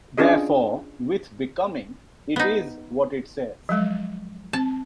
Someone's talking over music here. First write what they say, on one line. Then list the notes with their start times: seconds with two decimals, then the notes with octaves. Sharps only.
Therefore, with 'Becoming,' it is what it says.
0.18 C#4 D4 F4 G#4 D#5
2.36 B3 D#4
3.69 F3 F#3 G#3
4.53 C4 A5